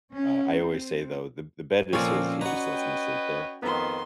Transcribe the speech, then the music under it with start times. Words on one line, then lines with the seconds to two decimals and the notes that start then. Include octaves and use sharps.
uh, I always say, though, "The the bed is his, he just lets me sleep there."
0.13 C#4
0.60 C4
1.93 A#2 F3 C4 C#4 A4 A#4 D5
2.41 F#4 B4 C#5 D#5 A#5
2.73 G5
3.63 F2 D#3 B3 C6